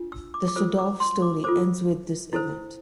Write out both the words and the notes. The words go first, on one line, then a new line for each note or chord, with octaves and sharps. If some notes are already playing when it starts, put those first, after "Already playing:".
The Sudhof story ends with this event.
Already playing: D4 F4
E6
D6
D6
F4 A4 C5 E6
D6
C6
D6
F4 A4 C5 D6
E4 A4 C5